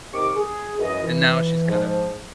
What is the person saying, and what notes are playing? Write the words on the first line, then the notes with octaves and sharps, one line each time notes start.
and now she's kind of
C3 D#3 G4 A#4 C#6 D6
G#4
F#2 E3 D#5
E3
G#2 F3